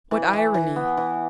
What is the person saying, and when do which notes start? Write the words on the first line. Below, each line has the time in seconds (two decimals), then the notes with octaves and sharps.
What irony!
0.11 E3
0.33 E3
0.54 E3
0.76 B3
0.97 E3